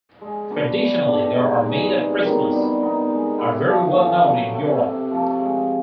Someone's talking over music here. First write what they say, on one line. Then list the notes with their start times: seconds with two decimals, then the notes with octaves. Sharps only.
Traditionally, they are made at Christmas, are very well known in Europe.
0.21 G#3
0.50 B3 D4 F#4
0.79 E3
1.07 A3 D4 G4
1.36 G#2
1.65 E3 G#3
1.94 C3
2.23 D#3 F#3 B3
2.52 G3
2.81 B3 D#4
3.09 G#3
3.38 B3 E4 G4
3.67 F3
3.96 A3 C#4 F4
4.25 F#3
4.53 A3 C4
4.82 C3
5.11 F3 A3
5.40 G#3